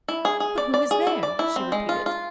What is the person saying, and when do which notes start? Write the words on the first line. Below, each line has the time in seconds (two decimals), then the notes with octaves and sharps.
"But who is there?" she repeated.
0.08 E4
0.25 G#4
0.40 G#4
0.58 D5
0.74 D5
0.91 G#4
1.07 E4
1.23 D5
1.39 E4
1.56 C4
1.72 G#3
1.89 F4
2.06 F4